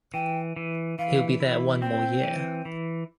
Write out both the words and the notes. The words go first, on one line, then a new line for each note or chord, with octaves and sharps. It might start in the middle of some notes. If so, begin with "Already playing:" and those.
He'll be there one more year.
E3 G5
E3
E3 F5
E4
C4 G5
E3
E3